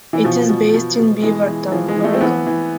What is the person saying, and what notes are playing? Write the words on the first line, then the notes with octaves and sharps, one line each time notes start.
It is based in Beaverton, Oregon.
E3
B2 F3
B2
B2
B2
E3 G#3
E3
E3 F3
G#3
E3
A3
C4
E3 B3
E3